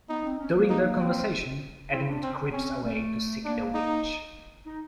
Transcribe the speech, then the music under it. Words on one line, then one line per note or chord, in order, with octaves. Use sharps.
During their conversation, Edmund creeps away to seek the Witch.
B3 D#4
C4
C#4
A#3
D#4
C4
C4 E4
D4
C4 C#4
B3
C4 C#4
A3
A#3 D4
D#4
D#4